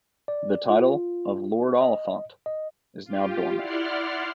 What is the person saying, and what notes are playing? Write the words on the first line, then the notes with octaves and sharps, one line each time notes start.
The title of Lord Oliphant is now dormant.
D5
F4
D#5
D#5
F4 G4
E4 D5 F#5 C6 F6 C7